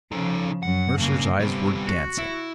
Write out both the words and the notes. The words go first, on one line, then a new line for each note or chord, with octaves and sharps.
Mercer's eyes were dancing.
C#3 F3 D#4 A4
F#2 F#3 F#5
G2 C#3 A#3
C3 G3 B3
F#4
E4